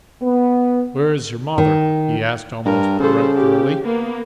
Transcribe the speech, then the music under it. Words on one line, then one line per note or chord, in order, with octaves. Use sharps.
"Where is your mother?" he asked, almost peremptorily.
B3
D#3
G2 A#4
C#3 G3 A4 C5
G4
A#3 B3